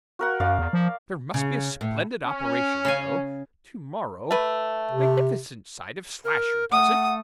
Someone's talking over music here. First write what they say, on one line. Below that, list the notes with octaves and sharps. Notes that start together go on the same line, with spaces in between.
There must be a splendid operation, though, to-morrow--magnificent sight if Slasher does it.'
F#4 A#4 F#5
F#2 D5 F5
E2
F3
C#3
A2
C#4
C#3 F5 G#5
A3 B4
C3
A#4
A3 F#5 D#6